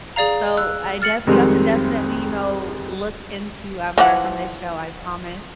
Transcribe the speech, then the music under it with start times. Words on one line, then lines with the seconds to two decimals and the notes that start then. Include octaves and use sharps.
So, I def you have to definitely, you know, look into I've learned from this show, I promise
0.16 G#4 D5 F5 A#5
0.57 E6 F#6
1.02 F6 A6 C#7 F#7
1.27 F2 D#3 G3 G#3 C4
3.98 E3 F3 F#5